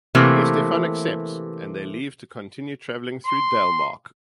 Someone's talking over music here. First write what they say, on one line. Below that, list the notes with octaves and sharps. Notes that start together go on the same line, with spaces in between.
Hestefan accepts, and they leave to continue travelling through Dalemark.
C3 E3 A3 A#3
C6